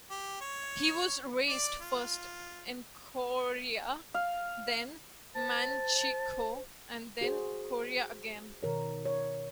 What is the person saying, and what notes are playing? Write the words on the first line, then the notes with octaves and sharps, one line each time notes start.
He was raised first in Korea, then Manchukuo, and then Korea again.
G4
C#5
D5
F4
F5
C5 A5
F#4 G#4 C5
B2 D#3 A#4 C#5
C#5